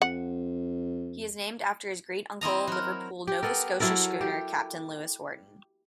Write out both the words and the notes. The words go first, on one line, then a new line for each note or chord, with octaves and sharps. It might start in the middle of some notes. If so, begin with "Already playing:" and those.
He is named after his great uncle, Liverpool, Nova Scotia schooner captain Lewis Wharton.
F2 F#5
C4 E4 D#5 A#5
F#3 A#4
G4
B3 A4 A#4
F#3 E4 A4 A#4
G4